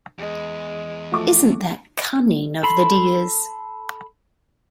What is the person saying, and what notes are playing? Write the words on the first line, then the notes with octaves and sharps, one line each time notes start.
Isn't that cunning of the dears?
E2 G#3
F3 A3 F#4 D6
A4 B5 C6